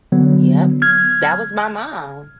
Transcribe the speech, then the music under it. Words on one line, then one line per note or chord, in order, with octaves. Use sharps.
Yep, that was my mom.
D3 F#3 B3
F6 G#6